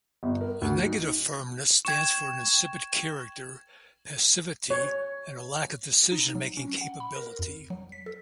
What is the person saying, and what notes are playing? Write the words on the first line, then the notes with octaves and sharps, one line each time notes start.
A negative Firmness stands for an insipid character, passivity and lack of decision-making capability.
G1
A#4
D2
D#4
G5 C#6 G#6 E7
C#5
D#4
F#3
C#4
F#5
B5
A#4
F2
F#3
B6
A4